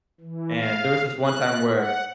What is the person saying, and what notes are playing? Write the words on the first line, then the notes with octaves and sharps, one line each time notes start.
and there was this one time where,
E3
F5
F#6
F#5